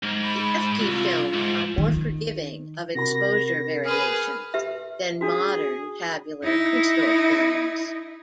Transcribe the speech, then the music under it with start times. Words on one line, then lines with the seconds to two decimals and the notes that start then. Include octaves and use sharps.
The Efke films are more forgiving of exposure variations than modern tabular crystal films.
0.03 G#2
0.23 B5
0.79 C2 F4
1.34 G#2
1.78 D#3
2.95 C3 F#4 A#4 B5 A#6
3.85 G#4 B4 F6
4.54 G4 B4 E5
5.21 D4 F#4 G#4
6.44 D#4 E4